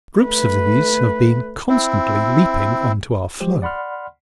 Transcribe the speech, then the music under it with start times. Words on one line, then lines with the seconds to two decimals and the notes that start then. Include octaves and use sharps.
Groups of these have been constantly leaping on to our floe.
0.19 A3 B4
1.69 C4 E4
3.40 F3 G#3 G4 C5
3.62 D5 F#5 B5 C6 F6